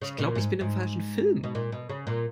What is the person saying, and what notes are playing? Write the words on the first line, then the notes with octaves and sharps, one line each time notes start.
Ich glaube, ich bin im falschen Film.
C#3
A#2
G#2
G#2
B2
A#2
B2
C#3
A#2